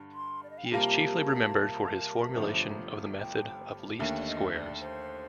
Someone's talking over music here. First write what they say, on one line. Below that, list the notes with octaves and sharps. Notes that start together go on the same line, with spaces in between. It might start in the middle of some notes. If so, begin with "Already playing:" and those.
He is chiefly remembered for his formulation of the method of least squares.
Already playing: G2 D3
C6
D5
D#5
F5
G5
C3 G3 A#3 F4 A#4 A5
G1 G2 F3 A3
G5
D#2 D3 A3 G5
D5
D#5
D5
C5